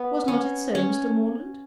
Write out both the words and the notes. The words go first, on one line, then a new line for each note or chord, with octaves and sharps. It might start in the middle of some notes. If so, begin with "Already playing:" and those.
Was not it so, Mr. Morland?
Already playing: B3
C#4
C#4